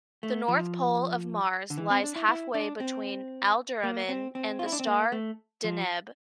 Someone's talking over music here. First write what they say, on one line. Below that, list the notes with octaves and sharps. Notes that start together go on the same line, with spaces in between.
The north pole of Mars lies halfway between Alderamin and the star Deneb.
A3
F3
D3
E3
C4
D4
E4
E4
D4
C4
A#3
C4
C4
F4
E4
D4
C4
A#3
A3
F3